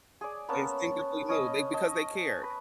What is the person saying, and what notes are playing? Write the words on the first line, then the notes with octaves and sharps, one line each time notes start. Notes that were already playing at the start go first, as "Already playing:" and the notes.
they instinctively knew. They because they cared.
G#4 D5
A#3 B3 C#4 A5
C#4 D#5
D#5 A5
B4